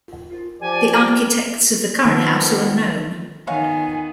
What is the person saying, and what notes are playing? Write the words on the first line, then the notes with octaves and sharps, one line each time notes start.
The architects of the current house are unknown.
F3 G4 D5 G#5
D#3 F3 B3 A4 A#4
D#3 B3 F#4 C#5 F5 G#5